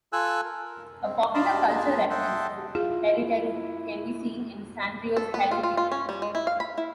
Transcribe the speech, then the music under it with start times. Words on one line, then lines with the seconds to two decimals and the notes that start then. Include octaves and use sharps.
A popular culture reference to Teruteru can be seen in Sanrio's Hello Kitty.
0.13 F4 A4 G#5 E6 F#6
0.45 A#4
1.02 C4
1.34 D5 D#5 F5 A5 B5 C6
1.68 A#3 B3 F4 G#4 B4 A5
2.10 D#5 E5 F#5 G5 A5 C6
2.75 E4 F4 G#4
5.17 A4
5.34 B3
5.51 F4
5.63 F4
5.77 F4
5.92 C#4
6.09 G3
6.22 G#3
6.35 E4
6.47 F5
6.60 B5
6.78 E4